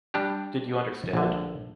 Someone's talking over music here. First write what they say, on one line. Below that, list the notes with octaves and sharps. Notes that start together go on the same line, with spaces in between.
Did you understand?
G3 D4 G4
A#1 D3